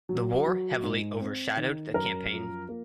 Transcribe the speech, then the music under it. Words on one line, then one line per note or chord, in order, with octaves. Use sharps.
The war heavily overshadowed the campaign.
F#3
F#3
G#2
C4
D#3
F#2 A#4
F3
A#3